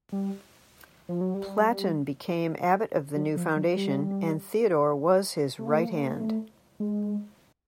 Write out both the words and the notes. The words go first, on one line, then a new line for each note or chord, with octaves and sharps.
Platon became abbot of the new foundation, and Theodore was his right hand.
G3
F3
F#3
G3
F#3
F3
F#3
G3
A3
A#3
A3
A#3
A3
A#3
A3
A#3
A3
G#3